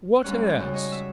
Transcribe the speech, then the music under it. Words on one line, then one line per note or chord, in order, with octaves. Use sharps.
"What as?"
D2 G#2 G3 C#4 F#6
F#2 C#3 G3
C#5 D#5
E5